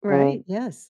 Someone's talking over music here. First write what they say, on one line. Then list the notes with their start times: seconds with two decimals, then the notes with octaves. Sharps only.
Right, yes.
0.10 C#3